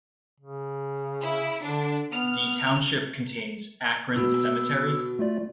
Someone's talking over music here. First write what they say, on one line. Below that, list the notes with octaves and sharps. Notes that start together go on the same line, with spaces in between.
The township contains Akron Cemetery.
C#3
E4
D3 D4
B3 F6
B2 B3 E6
A3 F4 D5